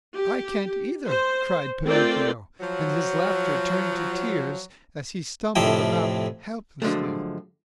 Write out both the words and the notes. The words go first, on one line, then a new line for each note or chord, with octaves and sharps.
"I can't either," cried Pinocchio; and his laughter turned to tears as he stumbled about helplessly.
G4
C5
A3 C4 F4 A#4 D5 G5
F3 F#3
F2 A2 C3 F3 C4 G5
G2 D3 F3 F#3 G#3 A3